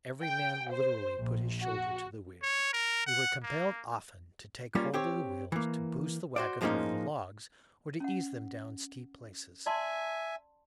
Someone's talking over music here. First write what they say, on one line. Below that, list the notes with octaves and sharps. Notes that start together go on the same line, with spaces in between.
Every man literally "put his shoulder to the wheel." We were compelled often to take hold of the wheels to boost the wagons over the logs or to ease them down steep places.
G5
C5
A#1
F#4
C#5
A#4
F#5
A#3
G3 A#3 C#4 F4
C4 G4 C#5
E3 A#3
F#4 C5 D5
A2 F3 G#3 A#3 C#4 D#4
C#4 F#5
D5 E5 G#5 A5 C6